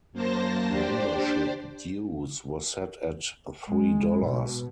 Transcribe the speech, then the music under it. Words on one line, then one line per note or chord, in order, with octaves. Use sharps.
Membership dues were set at three dollars.
F#2 A#3 C5 A5 A#6
D4 G4 C5 D5
G#3
B2